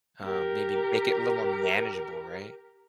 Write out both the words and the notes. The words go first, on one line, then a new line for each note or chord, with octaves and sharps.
um, maybe make it a little more manageable, right?
G4 A#4